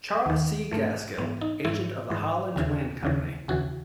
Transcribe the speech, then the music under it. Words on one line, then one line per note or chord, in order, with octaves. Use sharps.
Charles C. Gaskill, agent of the Holland Land Company.
D#2 D#3
G#2 E3 A3
G#2 E3 B3
D#4
G#2 E3 E4
G#2 E3
D#2 C#3 E3
D#2 C#3 E3
D#2 C#3 E3 F#4